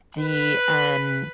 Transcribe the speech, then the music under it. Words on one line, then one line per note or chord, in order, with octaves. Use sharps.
the, um,
B4